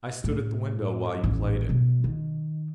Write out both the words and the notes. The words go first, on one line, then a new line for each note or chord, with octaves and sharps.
I stood at the window while you played it.
A2
A1 E2
B2 F#3
D#3